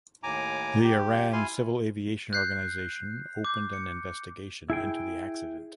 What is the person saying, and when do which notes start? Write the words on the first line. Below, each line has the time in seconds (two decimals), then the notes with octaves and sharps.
The Iran Civil Aviation Organization opened an investigation into the accident.
0.23 D#2 A2 G#5 A#5 D6
0.84 G4
1.33 E4 F4 F5 G#5 C6
2.33 F#6 G6 C7
3.44 D6 G6
3.73 C#7
4.70 E4 G#4 G5